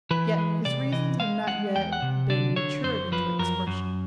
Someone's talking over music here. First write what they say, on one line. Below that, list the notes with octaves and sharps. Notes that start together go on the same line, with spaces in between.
Yet his reasons have not yet been matured into expression.
E3 B4
G#3
C3 D5
E3 D#5
G#3 F5
G#3 F#5
E2 G5
F#5
C3
D3 D5
D3 C#5
F#2 C5
F3 B4
F#2 A#4
F#2